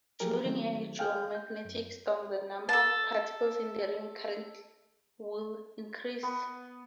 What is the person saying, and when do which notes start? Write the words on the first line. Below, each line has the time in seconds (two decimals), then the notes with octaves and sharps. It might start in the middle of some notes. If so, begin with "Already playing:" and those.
During a geomagnetic storm, the number of particles in the ring current will increase.
0.20 F3 F#3 G4 G#4 A#4
0.45 D#3 F#3 A3 C4
0.99 F5 G5 G#5 F6 G6
1.35 G6
1.65 F#2
2.69 A4 A5
6.23 B3